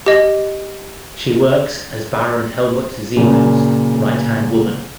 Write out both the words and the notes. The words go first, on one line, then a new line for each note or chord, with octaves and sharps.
She works as Baron Helmut Zemo's right-hand woman.
G4 D#5
A#2 C#3 F#3